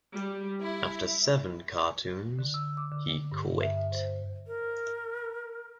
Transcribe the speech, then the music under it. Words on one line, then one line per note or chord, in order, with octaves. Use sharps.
After seven cartoons, he quit.
G3
E4
D3
E6
D6
D3
G2
E5
C5
A#4